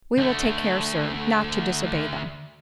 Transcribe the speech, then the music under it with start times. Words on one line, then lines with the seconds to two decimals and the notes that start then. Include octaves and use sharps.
"We will take care, Sir, not to disobey them."
0.17 D2 A3